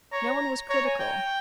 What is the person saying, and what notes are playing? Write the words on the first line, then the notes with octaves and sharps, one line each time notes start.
No one was critical.
C#5 A#5
C#5 A#5
G#5
G5